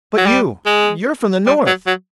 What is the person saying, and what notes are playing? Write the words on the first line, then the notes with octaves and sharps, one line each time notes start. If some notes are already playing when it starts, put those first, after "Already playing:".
"But you--you're from the North."
F#3
G3
G#3
G3
F#3
F#3